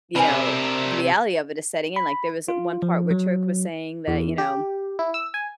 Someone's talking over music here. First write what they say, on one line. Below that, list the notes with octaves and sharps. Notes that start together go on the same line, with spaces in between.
you know the reality of it is setting in like, there was one part where Turk was saying that, you know
C3 D4 A#4 G#5 A5 B5
B5
F4
F3
F#3
E2
G4
E4
E6
G#5